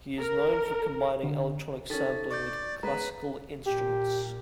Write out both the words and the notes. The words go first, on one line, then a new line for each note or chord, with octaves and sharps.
He is known for combining electronic sampling with classical instruments.
A#4
D3
D#3 C#4 A4 A6
D5 C#6 G6
G#3 B3 B4 A#5
A#2 G4